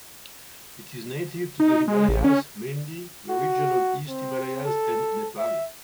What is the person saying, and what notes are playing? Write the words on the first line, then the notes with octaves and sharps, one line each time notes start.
It is native to the Himalayas mainly the regions of East Himalayas and Nepal.
D#4
G#3
A1
C#4
F#4
C4
A4
E5